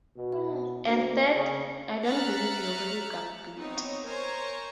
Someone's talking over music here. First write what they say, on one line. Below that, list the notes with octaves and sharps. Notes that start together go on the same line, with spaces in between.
And third, I don't believe you really got bit.
B2
D2
C#3
E5 A#5 F6 F#6 A6 C#7
B3 C4 D#4 C#5
A#4 C5 C#5 G#5 A#5 C#6